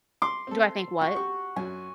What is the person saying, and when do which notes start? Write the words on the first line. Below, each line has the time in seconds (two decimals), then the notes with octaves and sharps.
Do I think what?
0.22 C6 D6
0.47 C4 A4
1.01 F#4
1.15 G4 C#6
1.56 F#2 F#4 G#5